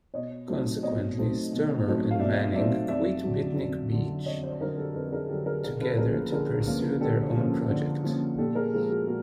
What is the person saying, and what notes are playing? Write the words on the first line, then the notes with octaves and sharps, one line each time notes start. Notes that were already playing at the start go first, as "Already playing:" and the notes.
Consequently Sturmer and Manning quit Beatnik Beatch together to pursue their own project.
B2 C#5 D#5
F#3 A3 C4 D#4
B2 C#5 D#5
F#3 A3 C4 D#4
B2
F#3 A3 C4 D#4
F5
B2 D5 E5
F#3 A3 C4 D#4 D5 E5
F2 D5 E5
D3 F#3
F2
D3 F#3
F2 C#5 D#5
C5 D5
D3 F#3 A#4 C5
G4 A4
F2 A4 B4
G#4 A#4
D3 F#3 G4 A4
G#4 A#4
D3 G#4 A#4
A4 B4
F3 A#3 C#4 G#4 A#4
D3 G#4 A#4
F3 A#3 C#4
D3 G4 A4
F3 A#3 C#4
D3
F3 A#3 C#4
A#2 G4 A4
G#4 A#4
F3 G#3 G4 A4
F#4 G#4
A#2 F#4 G#4